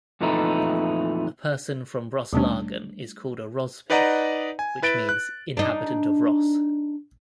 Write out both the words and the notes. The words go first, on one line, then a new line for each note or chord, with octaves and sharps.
A person from Roslagen is called a "Rospigg" which means "inhabitant of Ros".
F2 A#2 E3 A3 D#4 E4
D#2 B2 G3 A3 C#4 D4
D#4 B4 D5 D#5 F#5 A#5
G#5
E4 B4 A6 D7
F#6
D4 D#4